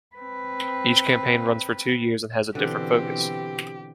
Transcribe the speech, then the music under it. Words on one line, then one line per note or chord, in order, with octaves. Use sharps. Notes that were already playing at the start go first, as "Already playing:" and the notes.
Each campaign runs for two years and has a different focus.
C4 B4
B2 D3 E3 C4 G4